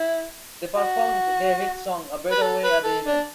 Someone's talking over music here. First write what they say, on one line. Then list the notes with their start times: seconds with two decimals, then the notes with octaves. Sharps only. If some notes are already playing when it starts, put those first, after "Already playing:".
They performed their hit song, "A Better Way" at the event.
Already playing: E4
0.76 F#4
2.31 B4
2.42 A4
2.64 B4
2.84 A4
3.05 D4